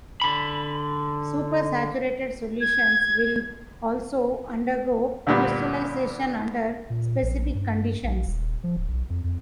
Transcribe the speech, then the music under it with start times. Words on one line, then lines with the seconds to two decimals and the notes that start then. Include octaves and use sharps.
Supersaturated solutions will also undergo crystallization under specific conditions.
0.22 D3 B5
2.61 G#6
5.27 D2 G2 A#2 G3 B3
6.90 A#2
7.22 A#1
7.55 G2
8.04 A#1
8.26 D#1
8.64 F3
8.76 D1
8.88 B1
9.10 F2
9.24 F2